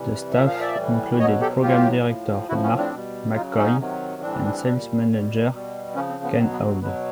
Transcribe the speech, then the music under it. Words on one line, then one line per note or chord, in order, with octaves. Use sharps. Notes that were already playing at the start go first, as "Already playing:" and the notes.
The staff included program director Marc McCoy and sales manager Ken Hoag.
Already playing: C3 E3 G3
A#2 F3 E5
F5
D5 E5
A2 E3 G3
B2 F#3 C#5 D#5
G4 A4
A2 F#3 F4 G4
A2 F3
A2 F3 E4 F#4
B3 C#4
C4 D4
B2 G3
C#3 F#3 D#4 F4
C#4 D#4
C3 D#3 F#3
A2 E3 G3 C4 D4
A#2 G3
B2 G3
B2 G3
C#3 F3 B3 C#4
C4
B3
B2 F#3 C4
B3
C4
B2 F#3 B3